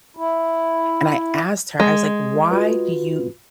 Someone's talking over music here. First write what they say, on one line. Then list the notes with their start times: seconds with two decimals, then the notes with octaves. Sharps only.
and I asked her, I was like, "Why do you
0.17 E4
1.80 G#3
2.51 F4 F#4 B4